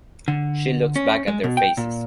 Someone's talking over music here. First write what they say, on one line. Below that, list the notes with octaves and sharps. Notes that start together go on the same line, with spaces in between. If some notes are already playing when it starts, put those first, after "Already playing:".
She looks back at their faces.
D3
C#4
G#3
B2
G5
A#2